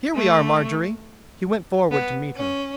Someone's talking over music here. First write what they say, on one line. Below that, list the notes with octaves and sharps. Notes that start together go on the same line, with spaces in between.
"Here we are, Marjorie." He went forward to meet her.
A3
B3
C#4